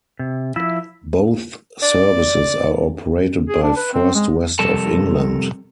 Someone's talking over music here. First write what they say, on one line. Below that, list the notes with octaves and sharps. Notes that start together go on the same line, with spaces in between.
Both services are operated by First West of England.
C3
F3 E4 E5
D5
G#4
D4
B4
C4
G#3
F2 C3 G3 A4 A#4 A5